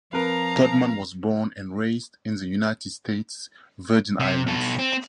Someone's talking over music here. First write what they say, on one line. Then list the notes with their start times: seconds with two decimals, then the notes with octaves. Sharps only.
Todman was born and raised in the United States Virgin Islands.
0.13 F3 C4 A#4 B4 F5 A#5
4.20 C3
4.47 B2 A4
4.79 C4